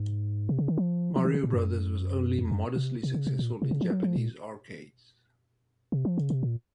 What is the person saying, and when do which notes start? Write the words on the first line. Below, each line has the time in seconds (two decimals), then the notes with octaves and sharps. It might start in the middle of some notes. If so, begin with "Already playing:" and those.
"Mario Brothers" was only modestly successful in Japanese arcades.
Already playing: G#2
0.49 C3
0.59 C#3
0.68 D#3
0.78 F3
1.16 F3
1.25 D#3
1.34 C#3
1.44 A#2
1.53 F#2
2.39 F2
2.51 F#2
2.76 C3
3.03 C3
3.14 C#3
3.27 C3
3.39 A#2
3.62 C3
3.71 C#3
3.81 F3
3.90 F#3
4.03 F3
4.16 A#2
5.92 C3
6.05 F3
6.18 C#3
6.30 C3
6.43 A#2